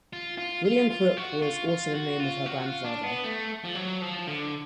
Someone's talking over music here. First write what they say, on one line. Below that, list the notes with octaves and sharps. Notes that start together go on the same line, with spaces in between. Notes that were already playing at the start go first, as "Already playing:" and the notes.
William Crook was also the name of her grandfather.
F4
F4
F4
F4
F#4
F4
F4
F#4
F4
F#4
F4
D4
B3
A3
F3
F#3
F3
D3